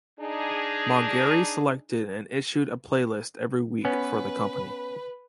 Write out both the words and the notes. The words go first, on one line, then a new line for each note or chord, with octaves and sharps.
Maugeri selected and issued a playlist every week for the company.
D4 D#4 G#4
B3 C#4 B4